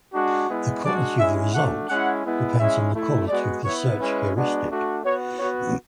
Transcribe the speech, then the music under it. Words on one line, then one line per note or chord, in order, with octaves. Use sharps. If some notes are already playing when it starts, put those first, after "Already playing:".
The quality of the result depends on the quality of the search heuristic.
G#3 D4 F#4
G#3 B3 E4
G#3 D4 F#4 D5
G#3 C#4 E4 E5
A3 D4 F#4 F#5
G#3 C#4 E4 F#5
G#3 B3 E4
G#3 C#4 E4 E5
A3 E4
G#3 B3 F#4 D5
B3 E4 C#5
G#3 C#4 E4 B4
G#3 B3 D4 F#4
A3 D4 F#4
B3 F#4 C#5
B3 F#4 C#5